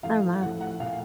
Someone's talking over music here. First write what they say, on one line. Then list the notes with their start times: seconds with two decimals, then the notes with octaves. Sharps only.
Oh, my.
0.03 A2 F3 A3 F5
0.41 A2 F3 A3 F#5
0.61 F#5
0.80 A#2 A3 F5